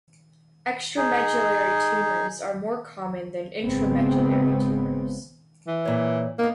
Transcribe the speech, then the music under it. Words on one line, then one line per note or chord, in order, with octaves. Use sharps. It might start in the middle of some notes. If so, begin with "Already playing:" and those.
Extramedullary tumours are more common than intramedullary tumours.
D#4 G#4
G#1 C#3 G#3 B3 C4
E3
A#2 C#5
A#3 B3 D#4